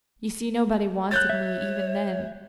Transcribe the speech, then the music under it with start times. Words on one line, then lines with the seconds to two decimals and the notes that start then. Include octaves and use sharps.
You see, nobody wanted me even then.
1.11 C#5 F#6 G6 A6
1.30 E5